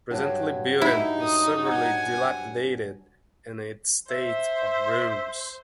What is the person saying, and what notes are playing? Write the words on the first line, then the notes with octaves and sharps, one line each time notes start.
Presently building is severely dilapidated and in state of ruins.
G2 F#3
D#4 E4
D#6
F#5 G#5
C5 E5